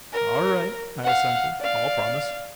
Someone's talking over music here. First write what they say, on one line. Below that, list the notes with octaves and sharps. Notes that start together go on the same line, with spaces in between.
"All right," I assented, "I'll promise."
A#4
F5 F#5
D5 F5